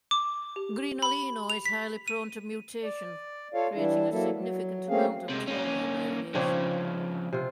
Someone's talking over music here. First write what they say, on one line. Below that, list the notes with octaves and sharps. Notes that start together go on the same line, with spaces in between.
Grignolino is highly prone to mutation, creating a significant amount of clonal variation.
D6
G4
B5
F7
B6
D#7
D5
F4 A4 C#5 F5
E3 G3 D4 E4
F#3 A#3 E4 A4
F#3
A3 A#3 C4 C#4 G#4 F5
C3 G#3
A#3 C#4
C#3 F3 C4 D4 C#5
C3 F4